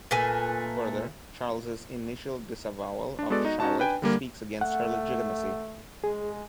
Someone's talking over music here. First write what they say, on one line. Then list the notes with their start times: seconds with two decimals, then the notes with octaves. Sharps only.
Further, Charles's initial disavowal of Charlotte speaks against her legitimacy.
0.11 A#2 A3 B4 G#5
3.19 D4
3.30 G#3 B3 F#4 A4 D5
3.45 D#4 F#4 D#5
3.60 C#4 D#4 F#4 A5
3.78 D4 B4 G5 G#5
4.02 D3 G3 A#3 A#4
4.61 A3 F#5
6.04 G#3 G#4